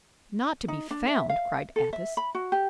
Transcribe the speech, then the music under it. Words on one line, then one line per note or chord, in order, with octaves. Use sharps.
"Not to be found!" cried Athos.
D#4
D4
E5
F5
A4
E5
B5
F#4
G4